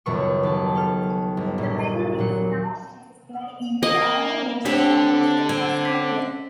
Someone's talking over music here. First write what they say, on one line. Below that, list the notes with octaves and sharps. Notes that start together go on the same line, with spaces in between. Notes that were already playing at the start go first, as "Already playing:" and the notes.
The medal is now on display in the Army Museum of Western Australia.
D#1 C#2 F#2 B2 C#6
D#2 A5
A4 F6
G1
A#1
A#2 F#3 C#7
A#3 D#5
D3 A3 C4 D4 G4 A4 C#5 B6
C4 G#6
C#4 D6 B6